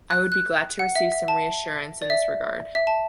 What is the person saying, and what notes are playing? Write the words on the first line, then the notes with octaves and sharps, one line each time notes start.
I would be glad to receive some reassurance in this regard.
F#6
F#6
F#5
E5
E5
A5
D5
E5
E5
A5